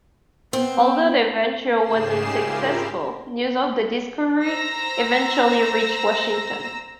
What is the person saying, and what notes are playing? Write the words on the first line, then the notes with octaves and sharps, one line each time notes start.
Although their venture was unsuccessful, news of the discovery eventually reached Washington.
B3 C4
G#2 C#3 G4 G#4 C7 E7
E4 F4 G4 A#4
C5 A#5 E6 A#6